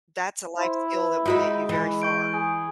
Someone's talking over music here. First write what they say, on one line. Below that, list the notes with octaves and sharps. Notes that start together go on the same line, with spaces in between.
that's a life skill that will get you very far.
E4 C5
B4
G#3 D#4 F4 F#4 E5 D#6
E3
C#6 G6 D7
G#4